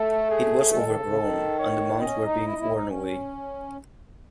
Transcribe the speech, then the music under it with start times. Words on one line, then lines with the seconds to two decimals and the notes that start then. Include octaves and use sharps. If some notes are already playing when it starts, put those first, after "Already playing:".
It was overgrown and the mounds were being worn away.
Already playing: A3 A4
0.30 G#4
0.73 G#3 A4
0.84 D#3
0.94 C#3
1.05 C#3
1.16 D#3
1.59 C#5
2.01 C#4 D#5
2.23 D#4
2.44 E4
2.52 D#4
2.58 E4
2.73 D#4
2.87 C#4